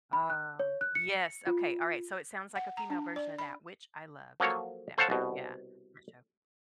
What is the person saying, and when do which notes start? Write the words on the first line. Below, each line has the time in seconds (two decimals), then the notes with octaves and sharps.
Um? Yes, okay, alright, so it sounds like a female version of that, which I loved that mov yeah, that show.
0.13 B5
0.30 F#6
0.60 C#5
0.81 F#6
0.95 C#7
1.47 F4
2.56 F#5
2.77 A#5
2.90 D4
3.16 D5
3.38 B5
4.40 F3 F#3 A#3 A4 C#5
4.98 A4 C5 C#5 F5 F#5 A5
5.10 C2 B2